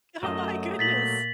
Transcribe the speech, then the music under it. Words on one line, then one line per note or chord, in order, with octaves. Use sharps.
oh my goodness.
F#2 F#3 A3 D#5
A#2 A6 B6 F#7